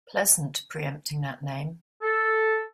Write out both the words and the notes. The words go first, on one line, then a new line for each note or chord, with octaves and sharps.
Pleasant preempting that name.
A4